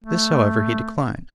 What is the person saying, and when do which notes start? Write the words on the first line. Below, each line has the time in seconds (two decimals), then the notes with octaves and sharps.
This, however, he declined.
0.04 A3